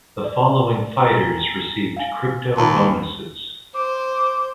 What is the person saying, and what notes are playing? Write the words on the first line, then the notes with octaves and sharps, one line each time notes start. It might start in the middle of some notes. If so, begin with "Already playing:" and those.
The following fighters received crypto bonuses.
D5
G5 G#5 A#5
F5 G#5
D#2 A5 B5
C5 D6